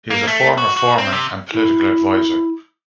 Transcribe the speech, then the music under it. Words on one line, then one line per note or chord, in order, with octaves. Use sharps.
He is a former foreman and political advisor.
A#3
A3
F#4
F#4
C4
C3
E4